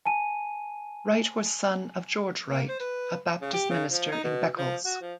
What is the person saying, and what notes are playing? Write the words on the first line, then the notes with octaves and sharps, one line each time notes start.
Wright was son of George Wright, a Baptist minister in Beccles.
G#5 A5 D#7
A#3
C5
B4
C#3
G4
C#3
F3
D#4
B2
F3
F#4
F3